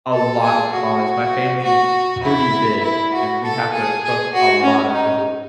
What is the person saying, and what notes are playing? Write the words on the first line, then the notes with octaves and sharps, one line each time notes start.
a lot of tamales; my family is pretty big, and we have to cook a lotta food.
A4
G#4
F#4
F#4
E4
E4
F#4
A4
G#4
G#4
F#4
C#4
D#4